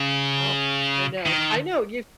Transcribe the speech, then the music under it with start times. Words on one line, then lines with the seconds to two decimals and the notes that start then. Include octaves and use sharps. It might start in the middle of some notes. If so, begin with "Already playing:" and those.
Oh, I know. I know you
Already playing: C#3
1.26 D#3